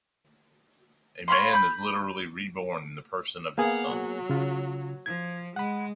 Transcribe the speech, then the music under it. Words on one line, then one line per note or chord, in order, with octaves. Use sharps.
A man is literally reborn in the person of his son.
C#5 F5 B5 C6
B5 G6
A#3 B3 G#4 F5 F#5
F#3
C#3 F4
F3 G#6
G#3 F#5 B5